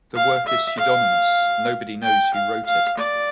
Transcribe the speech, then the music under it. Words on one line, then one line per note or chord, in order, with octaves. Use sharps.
The work is pseudonymous: nobody knows who wrote it.
F5
E5
F5
G5
F5
F5
D5